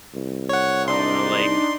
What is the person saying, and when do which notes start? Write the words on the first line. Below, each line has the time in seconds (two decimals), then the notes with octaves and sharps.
I don't know, like,
0.14 C2
0.49 C#5 F#5
0.88 D4 D#4 D5 C6